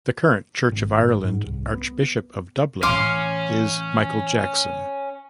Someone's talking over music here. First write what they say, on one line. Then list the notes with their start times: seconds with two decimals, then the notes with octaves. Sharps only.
The current Church of Ireland Archbishop of Dublin is Michael Jackson.
0.72 G#1
1.24 G#2
1.46 C2
1.74 B3
2.83 A2 E3 C#4 F5 C6 D6